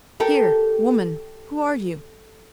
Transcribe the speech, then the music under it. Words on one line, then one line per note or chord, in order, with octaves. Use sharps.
Here! woman, who are you?
G4 A4 A#4